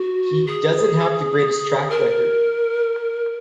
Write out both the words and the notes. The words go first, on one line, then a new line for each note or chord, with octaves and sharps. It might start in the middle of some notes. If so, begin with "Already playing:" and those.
He doesn't have the greatest track record.
Already playing: F#4
G#4
A#4